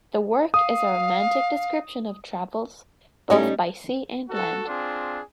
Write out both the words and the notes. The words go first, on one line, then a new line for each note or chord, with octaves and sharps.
The work is a romantic description of travels, both by sea and land.
F5 D#6
A2 G3 C#4 D#4
F#4 A4
C4 D4 F4 G#4